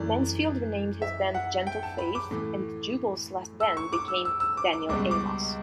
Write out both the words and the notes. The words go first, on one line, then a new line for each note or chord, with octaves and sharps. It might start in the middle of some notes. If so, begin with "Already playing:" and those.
Mansfield renamed his band "Gentle Faith", and Jubal's Last Band became Daniel Amos.
Already playing: F#2 E3 A3 D5
E5
F#5
G5
A5
B5
D6
A2 E3 A3
E6
C#6
D6
E6
E6
E6
D6
D6
C#2 B2 G3 D6
D6